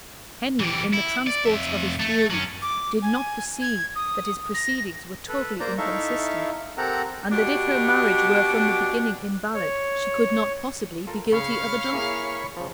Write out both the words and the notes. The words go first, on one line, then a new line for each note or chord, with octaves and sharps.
Henry, in the transports of his fury, did not perceive that his proceedings were totally inconsistent, and that if her marriage were from the beginning invalid, she could not possibly be guilty of adultery.
E3 G4
E4
D5
F2 E5
A3
F#3 C#4
D6
G#5
G#6
D#6
A#6
A4 B4
A#3 C5 D5 A#5
D#4 E4 A4 E5 F5 C#6
C4 G4 A4 A#4 F#5 A#5
B2 D4 F#4 G4
C#5
F4 A4 A#4
C#3 C#5 F5 B5 C#6
A#3 E4 G#4
C#3 F3